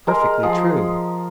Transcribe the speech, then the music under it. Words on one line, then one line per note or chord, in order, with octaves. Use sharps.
"Perfectly true."
G#3 A#4
F3 G#4